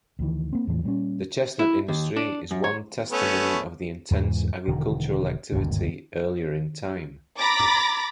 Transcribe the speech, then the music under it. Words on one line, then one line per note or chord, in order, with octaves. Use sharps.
The chestnut industry is one testimony of the intense agricultural activity earlier in time.
D2 D#3 E3
A#3 C4
E2 A2 E3 F3
A#2 G3 A#3 C#4
E4
D#2
D4
F#2
C#5
A3 B3 C#4
E2 G#2 C#3 E3
E1 D3 D#3
G1 D#2 G#2 C3
A#5 B5 D6 A6 A#6